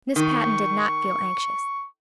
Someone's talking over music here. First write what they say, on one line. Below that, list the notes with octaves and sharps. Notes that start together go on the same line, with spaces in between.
Miss Patten did not feel anxious.
D#3 C#6